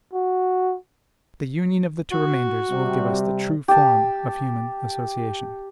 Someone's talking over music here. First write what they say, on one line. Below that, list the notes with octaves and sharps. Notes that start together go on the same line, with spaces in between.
The union of the two remainders will give us the true form of human association.
F#4
F#4
C3 G3
G4 A5